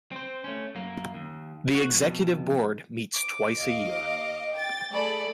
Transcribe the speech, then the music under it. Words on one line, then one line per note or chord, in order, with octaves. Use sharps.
The Executive Board meets twice a year.
C4 C5
A3 C#4
F#2 A#3
D#2
F#4
F2 B2
D6
D#2 D#5 F5
G5 A6
A3 G#4 A4 D5 B5